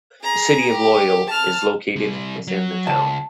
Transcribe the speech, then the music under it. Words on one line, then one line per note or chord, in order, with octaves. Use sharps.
The City of Loyal is located within the town.
G#4 A#5
G4
A5 F6
C3 G3
F#3
C#2 A5